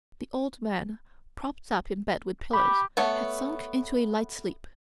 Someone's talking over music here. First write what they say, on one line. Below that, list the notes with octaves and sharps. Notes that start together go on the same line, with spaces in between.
The old man, propped up in bed with pillows, had sunk into a light sleep.
G4 B5
A3 B3 C#5